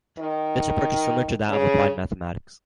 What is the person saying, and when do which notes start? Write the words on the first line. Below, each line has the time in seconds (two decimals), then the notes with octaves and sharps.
This approach is similar to that of applied mathematics.
0.18 D#3
1.48 C#3